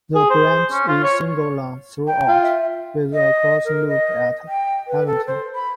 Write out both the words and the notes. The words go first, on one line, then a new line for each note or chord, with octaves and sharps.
The branch is single line throughout, with a crossing loop at Allanton.
G#4
C5
C#4
F4
C#5
G5
F4
E5
D#5
A#4
D#5
G5
B4
A4
C5
B5